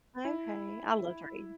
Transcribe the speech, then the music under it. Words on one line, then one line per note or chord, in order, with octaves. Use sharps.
Okay. I love to read.
E4